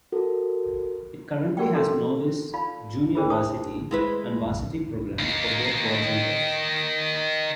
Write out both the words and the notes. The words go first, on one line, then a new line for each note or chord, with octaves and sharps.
It currently has Novice, Junior Varsity, and Varsity programs for both boys and girls.
F#4 A4 A#4
F#4 G4 A#4 D5 F#5 G5
C#4 F#4 A4 A#4 C6
D#4 F4 D5 F5 B5
D4 G#4 A#4 C5 B5
C5 A5 C#6 D#6
G#3 E4 B4
D#3 F5